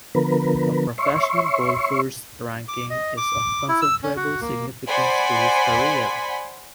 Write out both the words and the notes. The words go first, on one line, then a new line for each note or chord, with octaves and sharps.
A professional golfer's ranking is of considerable significance to his career.
D3 F3 B3 A#4 B4
C#5 E5 C6 C#6
D6
D#5
D6
E4
E6
C#4
F#4
A#3
C5 D5 F#5 G#5 B5 C6